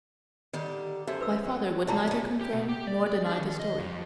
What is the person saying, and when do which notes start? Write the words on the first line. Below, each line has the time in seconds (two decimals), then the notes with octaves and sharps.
My father would neither confirm nor deny the story.
0.53 D3 D#3 G3 G4
1.07 F#2 C#4 A4 C5 E5
1.21 B4 E6
1.45 F#3
1.87 G2 A#2 D3 A#3 C4 D5 A5 A#5
2.07 C#3 A3
2.41 G4
2.53 B2
2.69 G4
2.87 D5
3.06 D5
3.26 D4
3.40 D#3
3.60 D#5
3.79 F2